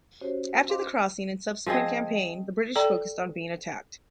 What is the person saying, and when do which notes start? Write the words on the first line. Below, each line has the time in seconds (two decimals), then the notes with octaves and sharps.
After the crossing and subsequent campaign, the British focused on being attacked.
0.21 C#4 F#4 G4 C5 C#5
0.68 C5 D#5 F5 C6 D6
1.66 F3 C4 G#4 D#5
2.76 A4 D5 G5 A#5